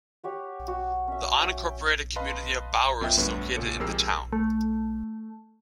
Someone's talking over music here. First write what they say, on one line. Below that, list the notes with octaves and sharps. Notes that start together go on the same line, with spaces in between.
The unincorporated community of Bowers is located in the town.
G4 C#5 F#5
F#4
C#4 E5
G5
B4 D#5 F5 A5 B5 C6
F#2 B3 F4 D#5 E5 G5
D2 G2 A3 B3 B4 C#5
C#2 A#2 C#4 A4 C#7
F2 G#3 G4 A#4 E6 C7
A3